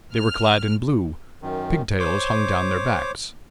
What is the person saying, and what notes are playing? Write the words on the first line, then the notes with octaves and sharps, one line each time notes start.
They were clad in blue. Pigtails hung down their backs.
F6
F#2 D#3
C5 C#5 D6